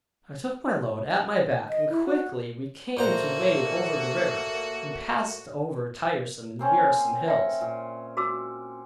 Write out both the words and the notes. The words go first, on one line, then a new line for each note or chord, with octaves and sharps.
I took my load at my back, and quickly we came to wade over the river; and passed over tiresome and wearisome hills.
D#5
E4
F#4
A#2 A3 A#3 F#4 C5 A#5
A#3 C4 C#4
E5 G5
A#2
F#4 D6 E6